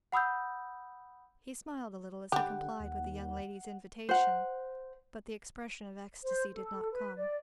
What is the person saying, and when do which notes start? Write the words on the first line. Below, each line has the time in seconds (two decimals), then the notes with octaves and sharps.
He smiled a little as he complied with the young lady's invitation, but the expression of ecstasy did not come.
0.12 F#5 B5 D#6 E6 G6
2.32 D3 G3 G4 F#5
2.80 D#2
4.09 C5 F#5
6.23 C5
6.52 A4
6.91 B4
7.16 D5